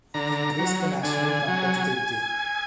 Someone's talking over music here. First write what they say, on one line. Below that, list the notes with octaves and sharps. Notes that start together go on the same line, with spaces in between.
Increase the national competitivity.
D3 A#5
F#3
D3 G#5
F#3